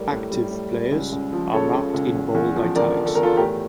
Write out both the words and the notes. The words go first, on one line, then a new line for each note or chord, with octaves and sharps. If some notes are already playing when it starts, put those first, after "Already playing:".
Active players are marked in bold italics.
Already playing: A2 G3 A#4 D5
A2
G3
A2
G3
C#2
C#2
F3
C#3 A4 C#5
C#2
C#2
E2
E2
F3
D3 A#4 D5
E2
A4
E2 A#4
F4 A4
A2 G4 A#4